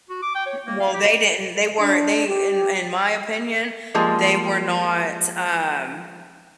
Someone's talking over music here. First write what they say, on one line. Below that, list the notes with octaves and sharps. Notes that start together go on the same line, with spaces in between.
Well, they didn't they weren't they, in in my opinion, they were not, um,
F#4
D6
G5
C#5
A#3
F5
G4
D4
G4
F3 G3 G#3 A#3